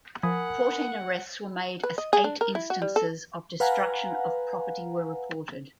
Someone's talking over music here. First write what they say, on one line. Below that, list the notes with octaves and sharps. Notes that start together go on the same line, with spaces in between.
Fourteen arrests were made as eight instances of destruction of property were reported.
F3 A#4 F#5 G#5 B5 D#6
B4
D#5
G#4
D4
A#4
E4
F#4
G3
A4
B4 F5 F#5 G#5 A#5